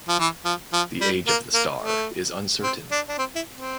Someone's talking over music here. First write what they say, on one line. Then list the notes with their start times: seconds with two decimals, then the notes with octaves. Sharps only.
The age of the star is uncertain.
0.08 F3
0.19 E3
0.45 F3
0.73 F3
1.01 G3
1.28 A#3
1.54 A#3
1.82 A3
2.63 C4
2.91 D4
3.09 D4
3.18 C4
3.36 E4
3.55 C4